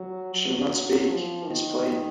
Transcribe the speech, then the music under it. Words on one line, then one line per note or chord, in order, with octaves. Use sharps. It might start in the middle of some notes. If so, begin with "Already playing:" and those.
She will not speak, it is plain.
Already playing: F#3
F#3
F3
D#3